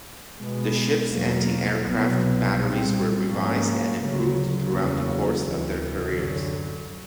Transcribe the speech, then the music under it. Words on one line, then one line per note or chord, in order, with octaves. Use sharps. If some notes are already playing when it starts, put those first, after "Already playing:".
The ships' anti-aircraft batteries were revised and improved throughout the course of their careers.
B2 G#3 B3
E2 B2 F#3 A#3
C2 B2 F#3 B3
A#2 G3 C4
G#2 F3 A#3 C#4
D2 C#3 F#3
E2 C#3 F#3 A#3 C#4
D2 C3 E3
F#2 D3 F#3